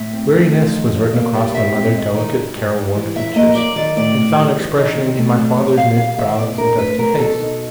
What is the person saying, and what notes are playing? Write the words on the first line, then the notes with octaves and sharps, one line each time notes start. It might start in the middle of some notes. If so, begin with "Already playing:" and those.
Weariness was written across my mother's delicate careworn features, and found expression in my father's knitted brows and dusty face.
Already playing: A2 E5
C4
A3
F3
D#3
C#4
A#3
G3
G2 E5
C4
G#3
D#3
G2
G2
G3
E3
F#2 E5
A#3 D#5
F#3 D5
D#3 D5
A2 D5
A2
G3
E3
D#3
C4
A3
F#3
F#2 C#5
F#2 F5
G3 F5
D#3 E5
B2 D5
D4 A#4
A3 B4
F#3 A#4
B2 A4
D#4